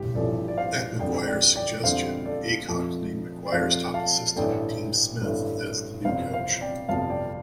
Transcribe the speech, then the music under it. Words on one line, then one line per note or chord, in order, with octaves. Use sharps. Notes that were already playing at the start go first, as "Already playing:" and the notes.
At McGuire's suggestion, Aycock named McGuire's top assistant, Dean Smith, as the new coach.
Already playing: A1 G2 G4
A1 G2 F3 A4 D5
D5
C5 F5
F2 D3 G3 D5 G5
D5 G5
D5 G5
F2 D3 G3 C5 F5
A4 D5
F2 F3 A3
D5
F2 F3 A3 C5 F5
F5 A5
A1 G2 D3 A3 D5 G5
A1 G2 D3 A3
G1 F2 C3 G3 C5 F5
C5 F5
D5 G5
G1 F2 C3 G3 F5 A5
D5 G5